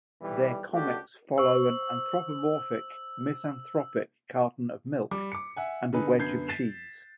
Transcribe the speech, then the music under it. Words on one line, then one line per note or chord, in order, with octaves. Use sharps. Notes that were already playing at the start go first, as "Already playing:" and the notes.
Their comics follow an anthropomorphic, misanthropic carton of milk and a wedge of cheese.
B1 E3 G3
C#2 A3 D4 F#4 G4
C5 C#6 E6
G3 D6
D6 C#7
E5 F#5 G#5
D3 B3 D#4 G#4 B4
F#2 D3 B3 G6 G#6 C7
A6 B6 C7 E7